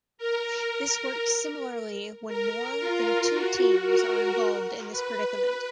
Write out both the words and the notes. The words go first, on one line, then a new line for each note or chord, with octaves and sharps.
This works similarly when more than two teams are involved in this predicament.
A#4
A#4
F4
F#4
A#4
B4